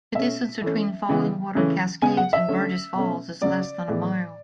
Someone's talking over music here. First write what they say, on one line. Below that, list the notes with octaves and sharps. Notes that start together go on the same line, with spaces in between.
The distance between Falling Water Cascades and Burgess Falls is less than a mile.
B2 A3 C#4 E5
E3 A3 C#4
C#3 E3 G#3 B3
C#3 E3 A3 C#4
C#3 G#3 B3 G#5
F#5
E5
D3 A3 C#4
B2 A3 C#4
C#3 F#3 C#4 D5
A2 E3 G#3 B3